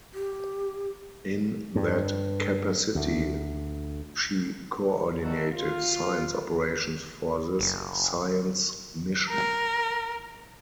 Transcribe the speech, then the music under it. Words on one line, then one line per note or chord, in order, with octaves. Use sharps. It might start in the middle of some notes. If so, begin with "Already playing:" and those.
In that capacity she coordinated science operations for this science mission.
G4
G2
D2
D#3 G3 A3 D#4 F#4 A4
F4
F#1
A#4